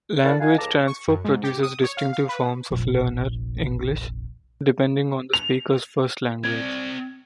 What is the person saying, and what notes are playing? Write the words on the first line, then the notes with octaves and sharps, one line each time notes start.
Language transfer produces distinctive forms of learner English, depending on the speaker's first language.
D4 E4 A#4 D5 F#5 A5
D#4 F4 F5 F#5 G#5
C#2 F3 A4 A5 A#5 D6
C#6
F#2
G#2
G4
D#6
C#5
F5
F5
B4
F1 A#1
F7
C4 D5 G#6